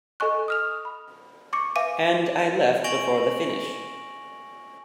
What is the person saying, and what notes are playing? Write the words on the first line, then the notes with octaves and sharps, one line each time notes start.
And I left before the finish.
A4 D#5 G#5 C#6 F#6
D#6 F6 F7
B5
C#6 D6 C#7
B4 E5 F5 G#5 D6 D#7
G#5 C#6 A#6 D7 F7 F#7